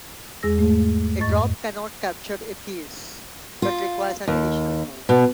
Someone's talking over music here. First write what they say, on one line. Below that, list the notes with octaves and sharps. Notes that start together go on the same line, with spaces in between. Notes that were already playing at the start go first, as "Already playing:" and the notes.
A drop cannot capture a piece; that requires an additional move.
E2 G#3 G#4 E6 A#6
G#2 A3 G#4
F2 G#2 D#5 C#6 A6
F4
D#2
B2